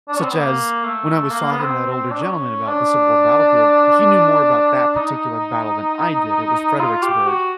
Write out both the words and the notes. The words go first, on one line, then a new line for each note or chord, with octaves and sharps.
Such as, when I was talking to that older gentleman about the Civil War battlefield, he knew more about that particular battle than I did, it was Fredericksburg,
D4
C#4
C4
B3
A#3
A3
A#3
A#3
B3
C4
C4
D4
C#4
D4
D#4
F4
G4
F#4